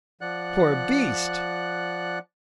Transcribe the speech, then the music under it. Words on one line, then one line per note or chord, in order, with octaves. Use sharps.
"Poor beast!"
F3 D5 F#5 F#6